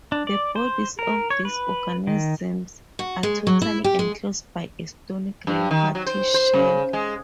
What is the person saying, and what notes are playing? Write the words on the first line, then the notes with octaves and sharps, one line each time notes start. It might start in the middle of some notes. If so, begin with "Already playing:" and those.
The bodies of these organisms are totally enclosed by a stony gray-whitish shell.
D4
D5
C5
A#4
C#5
B4
D#3
F#4
G#3
F#3
E4
G4
G#3
G2
D#3
F#3
C5
C5
C#3
G#3